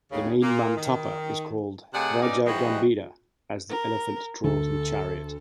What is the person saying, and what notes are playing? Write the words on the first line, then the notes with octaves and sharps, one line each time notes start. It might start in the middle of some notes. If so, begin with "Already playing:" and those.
The main mantapa is called Raja Gambira as the elephant draws the chariot.
D#2 C#3
A#2 A#3
D#3
C3 A3 G#4 D5 F#5
G2 B2 C#4 D#4 D5
E3 F3 G3 G#3 D#4 F#4
A#4
D2 A4